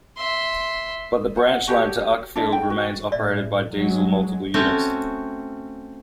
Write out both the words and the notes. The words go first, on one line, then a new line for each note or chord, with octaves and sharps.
But the branch line to Uckfield remains operated by diesel multiple units.
E5 C6
C5 F#5
F#4 G4 A4 C#5
D4 E4 A4 D#5
G5
F#4 B4
A2 D5 E5
F#3 G#3
A3 C4 C#4 F#4